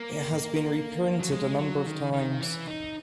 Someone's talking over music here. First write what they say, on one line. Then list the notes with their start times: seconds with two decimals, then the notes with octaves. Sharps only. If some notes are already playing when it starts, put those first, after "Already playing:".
It has been reprinted a number of times.
Already playing: A#3
1.20 F#3
1.31 G#3
1.58 F#3
1.86 D#3
2.13 D#3
2.41 E3
2.67 D#4